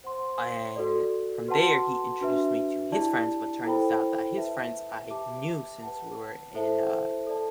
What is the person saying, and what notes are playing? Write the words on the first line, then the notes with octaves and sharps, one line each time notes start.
and from there, he introduced me to his friends, but turns out that his friends I knew since we were in, uh,
C5 F#5 C6
F#4 A4 D5
F#4 B4 F#5 A5 C6
D4 F#4 B4 E5
E4 G4 D5 A5
E4 A4 C5 G5 B5
B4 E5 A5
G4 B4 E5 A5 D6
B4 F#5 A5
E4 A4 C5 E5 A5
A4 D5 A5